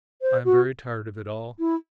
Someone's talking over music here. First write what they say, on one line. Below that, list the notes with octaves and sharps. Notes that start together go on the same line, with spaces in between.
I am very tired of it all....
C5
F#4
E4